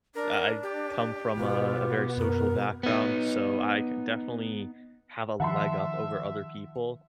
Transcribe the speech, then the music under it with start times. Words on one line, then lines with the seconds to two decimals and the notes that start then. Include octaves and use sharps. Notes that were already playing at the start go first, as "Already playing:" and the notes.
I I come from a a very social background," so I c definitely have a leg up over other people,
0.15 D4 A#4
0.63 G4
1.36 B2 B3 F4
2.18 F#2 A#4
2.83 B3 D#4
5.40 D#3 F3 E5 F#5 A5 C6